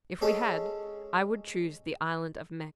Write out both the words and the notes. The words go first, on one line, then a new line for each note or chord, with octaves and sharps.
'If we had I would choose the Island of Man.'
G#3 C#4 G#4 A4 C#5